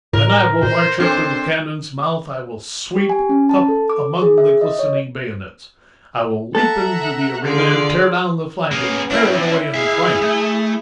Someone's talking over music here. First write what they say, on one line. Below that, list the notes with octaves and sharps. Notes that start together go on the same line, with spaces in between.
Then I will march up to the cannon's mouth; I will sweep up among the glistening bayonets; I will leap into the arena and tear down the flag and bear it away in triumph.
A2 A#4
A#2 C5
C4 D4 A4 C5
G4
G#5
C#4
A5
A4
D6
G#4
E5
D#5
C#5
A4 E5 F#5 A#5
D3 F4 G#4 D5
A#3 B3 C#4 G#4
C4 D4 E4
G#4 E5 F5
A3